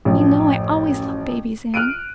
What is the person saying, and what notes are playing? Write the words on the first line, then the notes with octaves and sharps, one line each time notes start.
You know I always loved babies, Anne.
A1 F#2 F3
F6 F#6 D7 D#7